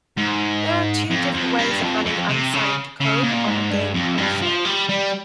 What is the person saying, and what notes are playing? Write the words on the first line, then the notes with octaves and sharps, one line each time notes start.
There are two different ways of running unsigned code on a game console.
G#2
F2
F2
G2
F2
F2
C3
C#3
C#3
A#2
G#2
G2
F2
G2
F3
G3
G3